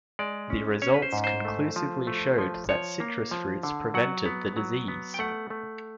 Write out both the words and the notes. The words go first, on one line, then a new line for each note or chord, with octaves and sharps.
The results conclusively showed that citrus fruits prevented the disease.
G#3 D5
C#4
C#4 C#5
B4
C5
G#2
C5
A3
F3
A3
F3
F3 C#5
A#3
F3
D3
F#3 F#5
B3
F#3
B3
G5
A3 F#5
A3